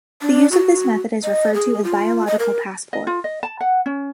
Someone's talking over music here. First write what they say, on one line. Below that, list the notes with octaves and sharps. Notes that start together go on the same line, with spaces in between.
The use of this method is referred to as biological passport.
D4
F#4
D#5
G#4
F4
D#5
A#4
D#5
F4
D#5
A5
F#5
C#4